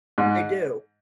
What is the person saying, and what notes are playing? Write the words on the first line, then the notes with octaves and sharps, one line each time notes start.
They do.
G#2